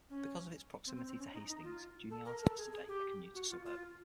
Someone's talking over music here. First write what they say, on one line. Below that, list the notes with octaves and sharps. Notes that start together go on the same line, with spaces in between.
Because of its proximity to Hastings, Juniata is today a commuter suburb.
C#4
C4
C4
C4
C#4
D#4
D#4
F4
A4
A#4
A4
G#4
G#4
G4
F#4
F4
F4